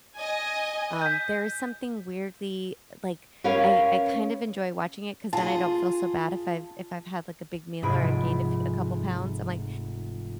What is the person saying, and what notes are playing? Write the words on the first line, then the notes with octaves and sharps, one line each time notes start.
um, there is something weirdly, like, I I kind of enjoy watching it 'cause then I don't feel so bad if I've if I've had, like, a big meal or I've gained a f a couple pounds, I'm like,
D#5 G#5
G6 B6
C#4 A#4 B4 C#5 F5
F4 G#4 A5
F1 G#2 G#4 B5 A#6 D7